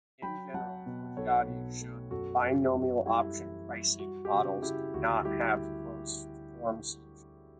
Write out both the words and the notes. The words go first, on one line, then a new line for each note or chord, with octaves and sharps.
In general, Georgiadis showed that binomial options pricing models do not have closed-form solutions.
F#3 G5 B5
F#3 F#5 A5
B2
B1 A4 C#5
B2
A3
F#2 F#4 A4
F#2
F#2
G3 E4 G4
E3
G3
G3 F#4
G4
C#3 F#4
C#3 E4 G4
D2 F#4
G3 E4 G4